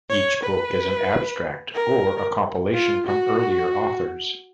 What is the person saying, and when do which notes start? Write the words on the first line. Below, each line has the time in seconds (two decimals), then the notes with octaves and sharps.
Each book is an abstract or a compilation from earlier authors.
0.10 C#5
0.43 B4
1.74 A#4
2.74 F4
3.07 F#4